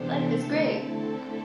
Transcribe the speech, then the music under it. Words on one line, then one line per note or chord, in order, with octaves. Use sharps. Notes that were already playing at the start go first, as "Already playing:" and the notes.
Life is great!
Already playing: C3 E3 B3 D4 G4 A4 C5
D3 A3 C4 E4 A4
A4